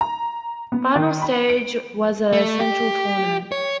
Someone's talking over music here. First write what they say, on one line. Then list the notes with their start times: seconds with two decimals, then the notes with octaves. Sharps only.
Final stage was a central tournament.
0.01 A#5
0.72 B3
0.96 D#3
1.22 B5
1.50 D7
2.33 A3
2.60 G4
3.52 C#5